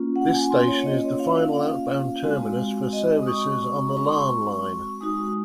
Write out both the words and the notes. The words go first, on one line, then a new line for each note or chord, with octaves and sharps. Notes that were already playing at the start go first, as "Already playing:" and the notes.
This station is the final outbound terminus for services on the Larne Line.
Already playing: A#3 C#4 F4
F#5
G#5
C6
C#5
C#5
D#5
F5
G#3 C4 F#4
D#5
D#6
C#6
C#6
C#6
C6
C#6
G#3 D#4 F#4 D#6